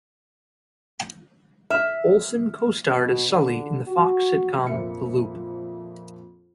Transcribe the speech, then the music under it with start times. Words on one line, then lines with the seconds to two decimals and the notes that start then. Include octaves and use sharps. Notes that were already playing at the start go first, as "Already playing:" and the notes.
Olsen co-starred as Sully in the Fox sitcom "The Loop".
1.70 E5 F6
2.96 B2
3.29 D3
3.87 F#4
4.67 A#1 F2 A#3 E5 C#7